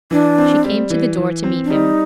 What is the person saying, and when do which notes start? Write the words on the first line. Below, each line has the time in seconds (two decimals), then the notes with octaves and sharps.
She came to the door to meet him.
0.11 E3 D4
0.38 C4
0.65 G3
0.90 E3
1.18 E3
1.44 C4
1.65 D4
1.70 G3 D#4